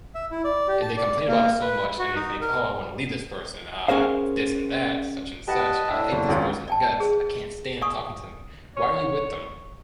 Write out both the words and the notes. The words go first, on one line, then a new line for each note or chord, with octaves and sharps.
and they complain about it so much and they think, "Oh, I wanna leave this person, uh this and that, such and such, I hate this person's guts. I can't stand talking to 'em." Why are you with them?
E5
E4
D5
G4
A5
D5
A#3
B4
F#4
D#4
A#4
C#4 G#4 A#4 C5 F5
G4 B4 D#5 F#5 A5
A2 D4 E5
F#1
G#1 C#2 C#3
D5 G5 A5
G#4 C5
D5 F#5 G#5 C#6 D#6
C#5